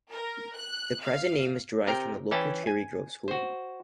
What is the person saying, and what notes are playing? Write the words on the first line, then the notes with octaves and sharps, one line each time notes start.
The present name is derived from the local Cherry Grove school.
A#4
F#6
F5
C3 A#4 G5
E3 C#4 E4 G5 A5
G#5
F#4 C5